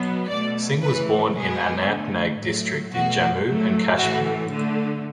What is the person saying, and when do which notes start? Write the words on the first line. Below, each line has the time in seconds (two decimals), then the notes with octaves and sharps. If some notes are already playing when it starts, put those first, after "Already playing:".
Singh was born in Anantnag district in Jammu and Kashmir.
Already playing: B2 F#3 B3
0.29 B2 A3 D5
0.81 C#3 E3 A3 B4
1.34 B2 G#3 B3 G#4
1.87 D3 A3
2.40 A2 F#3 A3
2.92 B2 A3 F#4
3.45 A2 F#3 A3
3.97 A2 E3 A3 F#4
4.49 D3 A3